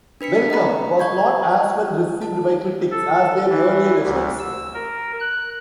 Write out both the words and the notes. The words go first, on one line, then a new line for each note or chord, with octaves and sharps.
"Welcome" was not as well received by critics as their earlier efforts.
D4 B4 B6 C#7
D#5 F#5 A#5 B5
D#5 C#6 G6 G#6
A5
A4
E3
D2
E6
A#4
F#6